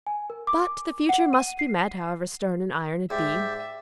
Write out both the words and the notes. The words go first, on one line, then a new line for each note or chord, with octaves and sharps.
But the future must be met, however stern and iron it be.
G#5
A#4
D6
F#5
D#7
C7
G#2 G4 D5 E5